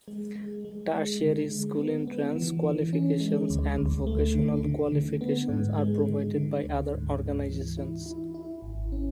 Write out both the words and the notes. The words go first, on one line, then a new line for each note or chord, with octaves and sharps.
Tertiary school entrance qualifications and vocational qualifications are provided by other organizations.
G#3
G#3
G#3
G#3
D3
G#3
B3
B3
E3
E3
C#4
G#3
D2
D2
A3
D3
D3
D3
B3
G#2
G#3
D3
D3
D2
G#2
G#2
E3
E4
E4
E4
G#1
C#4